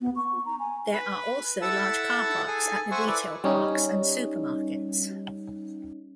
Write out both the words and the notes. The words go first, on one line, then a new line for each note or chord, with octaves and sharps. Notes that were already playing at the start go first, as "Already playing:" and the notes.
There are also large car parks at the retail parks and supermarkets.
B3
C#6
A#5
G#5
B4 B5
E4 A4 E5 F#5 A5 E6
G#4 A4 G#5
C5 E5 F#5 G#5 C#6
E4 A4 B4 D5
G3 C#4 D#4